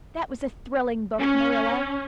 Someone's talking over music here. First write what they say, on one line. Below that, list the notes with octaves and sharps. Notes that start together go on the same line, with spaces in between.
That was a thrilling book, Marilla.
C#4